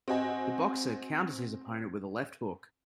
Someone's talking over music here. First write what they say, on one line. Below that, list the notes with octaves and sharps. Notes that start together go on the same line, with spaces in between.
The boxer counters his opponent with a left hook.
C4 F#4 D#5 G#5